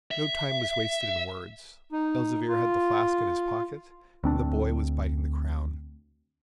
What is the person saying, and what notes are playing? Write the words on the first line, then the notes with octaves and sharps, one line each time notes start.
No time was wasted in words; Elzevir had the flask in his pocket, and the boy was biting the crown.
E5
D#4
F4
D2 C4 D4